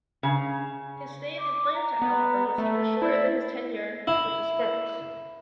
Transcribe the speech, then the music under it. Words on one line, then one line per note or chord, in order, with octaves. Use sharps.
His stay in Atlanta, however, was even shorter than his tenure with the Spurs.
C#3
D6
A#5
B3
A3 E5
E4 D5
E4